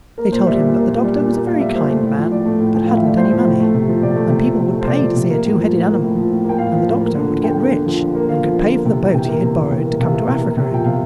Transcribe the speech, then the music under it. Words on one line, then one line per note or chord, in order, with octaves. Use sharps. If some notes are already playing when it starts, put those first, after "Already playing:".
They told him that the Doctor was a very kind man but hadn't any money; and people would pay to see a two-headed animal and the Doctor would get rich and could pay for the boat he had borrowed to come to Africa in.
A#3 A#4
A#2 C5
G3 E5
A#2
A#3
A#2
G3
A#2
A#3
A#2 F5
G3 E5
A#2 C5
A3
A2
F3
A2 D5
A3
A2
F3 G5
A2 F5
E5
A3 D5
A2 C5
F3
A2
A3
C3
F3
C3 D5
A3
C3
F3
C3
A3
C5
C3 D5
F3
C3
A#3
A2
F3
A2
A#3
A2
F3
A2
A#3 G5
A2 F5
F3
A2
A#3
D3
F3
D3 G5
A#3
D3
F3
D3
A#3
D3 F5
F3
D3
A#3
C3
E3
C3 G5
A#3
C3
E3
C3
A#3
C3 F5
E3
C3
A#3
C3
F3 G5
C3 F5